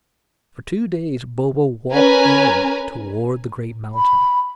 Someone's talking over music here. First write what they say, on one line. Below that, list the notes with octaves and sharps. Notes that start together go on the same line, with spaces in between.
For two days Bobo walked inland toward the great mountain.
C#4 A#4 B4 G#5 A#5
B5